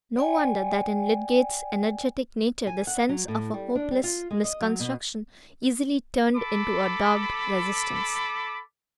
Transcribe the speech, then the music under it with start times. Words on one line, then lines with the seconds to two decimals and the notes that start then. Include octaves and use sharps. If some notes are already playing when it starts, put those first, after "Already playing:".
No wonder that in Lydgate's energetic nature the sense of a hopeless misconstruction easily turned into a dogged resistance.
0.17 D5 G5 G#5
2.67 G#5
2.87 F#5
3.09 F#3
3.28 A2
3.54 G3
3.75 D4
3.91 G3
4.04 F4
4.31 G#3
4.44 D#5
4.61 F#3
4.80 B2
6.36 A4 B5 D6